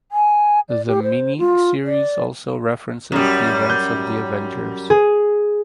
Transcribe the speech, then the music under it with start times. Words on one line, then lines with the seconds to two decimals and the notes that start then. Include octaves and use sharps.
The miniseries also references the events of "The Avengers".
0.12 G#5
0.69 D5
0.87 G4
1.03 C5
1.38 F4
1.84 D5
3.12 F#2 G3
3.69 G6
4.90 G#4